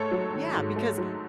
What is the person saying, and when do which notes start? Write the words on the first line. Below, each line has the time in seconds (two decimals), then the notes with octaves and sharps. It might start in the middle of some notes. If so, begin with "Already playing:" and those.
yeah, because
Already playing: G#2 A3 A4 C#5
0.11 F#3
0.33 D#3
0.55 G#2
0.76 A3
0.98 F#3